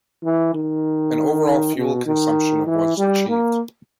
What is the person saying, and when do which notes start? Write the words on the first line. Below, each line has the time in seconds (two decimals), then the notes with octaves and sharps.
An overall fuel consumption of was achieved.
0.24 E3
0.54 D#3
1.76 B2
2.06 D#3
2.67 E3
2.98 G3
3.28 A#3